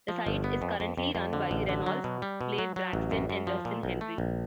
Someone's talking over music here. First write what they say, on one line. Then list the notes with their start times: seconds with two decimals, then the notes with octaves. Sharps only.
The site is currently run by Reynolds, Blade Braxton and Justin Henry.
0.08 F3
0.26 G1
0.44 B3
0.62 F2
0.80 F2
0.97 F2
1.15 F2
1.33 D3
1.51 A1
1.69 D3
1.86 F#3
2.04 B2
2.22 G3
2.41 B2
2.58 F#3
2.76 F#3
2.93 A1
3.11 F#2
3.30 F#2
3.47 F3
3.65 A#2
3.83 B1
4.01 A3
4.18 A#1